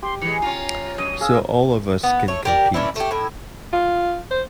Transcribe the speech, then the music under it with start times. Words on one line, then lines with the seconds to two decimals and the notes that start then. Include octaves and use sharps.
So all of us can compete.
0.03 G4 C6
0.22 E3 G#3 C#7
0.42 C#4 F4 A#5
0.98 F#2 D#5 D#7
1.21 G#4 F5 E6
2.03 B3
2.28 A3 C#5
2.45 G4 A#4 D5
2.74 E3 C#4 D4 E4
2.96 A3 G4
3.11 A2 E4
3.73 F4
4.31 C5